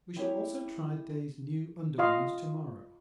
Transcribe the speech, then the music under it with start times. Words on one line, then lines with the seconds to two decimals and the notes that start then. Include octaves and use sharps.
We shall also try Day's new under-runners to-morrow.
0.16 C4 E4 G4 G#4 C#5
1.98 F4 D#5 F5 C6